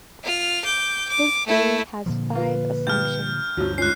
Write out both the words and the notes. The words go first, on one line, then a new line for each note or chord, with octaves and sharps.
His theory has five assumptions.
F4 F6
D6 G6
D6
A3 E4
A#2 D3 F3
F4 B4
G2 F6 G6
D2 G2 F3 F#3 F#4 F6
G#2 C#4 F4 F#6 C7